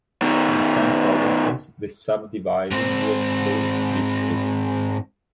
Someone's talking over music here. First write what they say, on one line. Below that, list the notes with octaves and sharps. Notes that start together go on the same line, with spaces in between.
In some provinces the sub-dividing was through "districts".
B2 D#3
G#2 C4